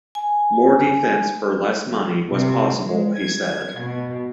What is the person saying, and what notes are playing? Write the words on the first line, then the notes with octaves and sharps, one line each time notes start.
More defense for less money was possible, he said.
G#5
C3
G#3
G#6
B2